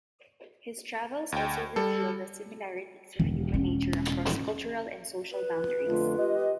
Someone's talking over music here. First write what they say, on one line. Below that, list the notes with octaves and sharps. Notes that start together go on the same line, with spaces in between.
His travels also reveal the similarities of human nature across cultural and social boundaries.
D2 G5
G3 A4
E1 D#3
C#4
B4
F2 D3 A3 F4
G4 D#5